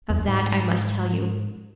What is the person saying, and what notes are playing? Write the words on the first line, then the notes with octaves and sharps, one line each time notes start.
Of that I must tell you.
E2
F#2
G#2